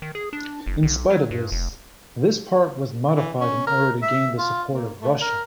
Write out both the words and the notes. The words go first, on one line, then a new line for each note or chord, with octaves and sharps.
In spite of this, this part was modified in order to gain the support of Russia.
D#3
G#4
D4
F#1
B1
F#3
G2
F1
E3
C#4
A#4
E5
F4
A#3
A3
A#4